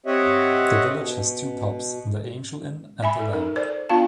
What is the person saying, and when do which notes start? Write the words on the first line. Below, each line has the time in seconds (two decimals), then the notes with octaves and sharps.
The village has two pubs: the "Angel Inn" and the "Lamb".
0.06 C4 G4 C#5 D#5 E5 F#5
0.96 B2
3.03 E5 G#5 B5
3.19 A4
3.33 D#4 A#4
3.56 A4 C5 D5
3.89 B3 D4 F4 F5 A5